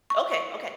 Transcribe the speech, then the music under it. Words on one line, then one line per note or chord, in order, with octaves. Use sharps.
Okay, okay.
C#6